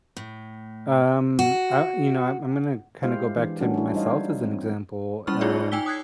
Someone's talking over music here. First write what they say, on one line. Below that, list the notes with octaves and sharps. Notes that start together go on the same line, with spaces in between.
Um, uh, you know, I'm I'm gonna, kinda, go back to myself as an example, um,
A2
F#4
G#3 E4 G4 C5 F5
E3 D4
G3 A3 C#4 D4 F#4 A#4
D4 E4
G3 D#4 C5 C#5 D#5 F5
C4
G3 C#4 E4 B5 C#6 F6
D#4 F4 G#4 C#5 D5
D#4 G5 G#5 E6 B6 G7
D#6 F#6 G#6 C7